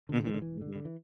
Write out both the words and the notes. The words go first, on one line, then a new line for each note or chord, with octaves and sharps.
Mhm, mhm.
D2 D3
E1 E3
D3
E1 E3
D3
D3
E3